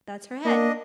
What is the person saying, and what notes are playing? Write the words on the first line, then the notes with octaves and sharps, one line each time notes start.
That's her head.'
A#3 D4 D#5